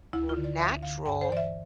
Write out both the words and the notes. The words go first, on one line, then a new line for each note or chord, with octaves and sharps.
were natural
D2 E4
F4
D3
D5
D2 E5
D3 F5
G2 G5
C5
E3 D5
E5